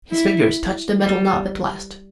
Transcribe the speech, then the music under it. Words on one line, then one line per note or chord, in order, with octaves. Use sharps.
His fingers touched the metal knob at last.
E4
G3